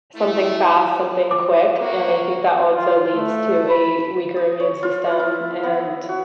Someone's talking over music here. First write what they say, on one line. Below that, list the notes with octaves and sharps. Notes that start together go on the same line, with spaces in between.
Something fast, something quick, and I think that also leads to a weaker immune system, and
A3 E4
D6
A#3 F#4
F4
A3
B5
D#6
C#5
F4
E4
B3
F#4